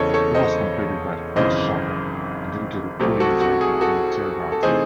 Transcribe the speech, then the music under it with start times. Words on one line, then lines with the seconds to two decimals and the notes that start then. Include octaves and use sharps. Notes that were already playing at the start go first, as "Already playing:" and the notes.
It was completed by Fritz Schaper and dedicated two years later in the Tiergarten.
Already playing: E1 E2 C#3 A4 C5 C#5 D#5
0.14 A4 C#5
0.34 C5 D#5
1.36 G#1 F#2 C#3 E3 C5 D#5
3.00 C2 C3 F#3 A3 C4
3.20 F#4 A4
3.41 F#4
3.61 G#4
3.81 F#4 A4
4.52 A4
4.63 C3 E3 A3 D#4 G#4 C5